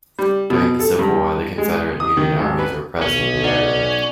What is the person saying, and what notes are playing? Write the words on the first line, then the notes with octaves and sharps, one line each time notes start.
During the Civil War, the Confederate and Union armies were present in the area.
G3
B2
A4
G2
G#3
D#6
D#3
G#1
B4
B1 C#4
D#4 D5 F#5